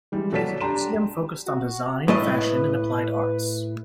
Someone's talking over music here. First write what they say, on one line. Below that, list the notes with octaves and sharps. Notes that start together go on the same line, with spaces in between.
It is a museum focused on design, fashion and applied arts.
E3 G3 G#3
B2 F#3 A4 D5 B6 E7
D4 G4 A#5 C6 E7
F#4
A2 A3 B4 D#5